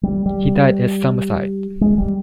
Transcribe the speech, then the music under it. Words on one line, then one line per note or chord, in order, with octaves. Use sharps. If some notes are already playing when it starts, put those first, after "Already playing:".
He died at Summerside.
G3
G3
G#3
G3